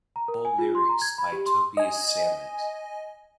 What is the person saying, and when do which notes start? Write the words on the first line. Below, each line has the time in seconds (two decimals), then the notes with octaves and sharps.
All lyrics by Tobias Sammet.
0.16 A#5
0.28 A#4
0.45 G#5
0.58 F4
0.75 C6
0.89 A#5
1.02 G#6
1.18 B5
1.32 G4
1.46 C6
1.77 D#5 G#5